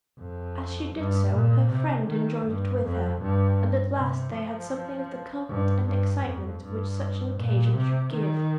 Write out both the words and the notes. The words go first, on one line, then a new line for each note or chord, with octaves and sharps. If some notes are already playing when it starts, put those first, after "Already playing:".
As she did so her friend enjoyed it with her, and at last they had something of the comfort and excitement which such an occasion should give.
F2
G2
A#2
C3
D#3
G2
F2
G2
C3
F3
G2
G2
F2
G2
A#2
C3
D#3